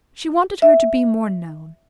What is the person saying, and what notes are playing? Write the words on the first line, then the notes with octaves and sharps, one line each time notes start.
She wanted her to be more known.
E5